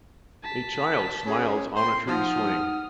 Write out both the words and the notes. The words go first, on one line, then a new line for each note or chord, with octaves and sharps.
A child smiles on a tree swing.
A5 B6
C#4 G#4
C4 C6
F3 D#4 F#5 D#6 F6